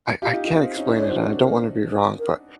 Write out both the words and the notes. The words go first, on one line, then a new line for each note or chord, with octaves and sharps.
I I can't explain it and I don't wanna be wrong, but
F4 G4
D#4 F4
D#4 F4
C4
C#4 D#4
C#4 D#4
D4 E4 C#5
E4 F#4 C5
C4 D4 B4
A#4
A#4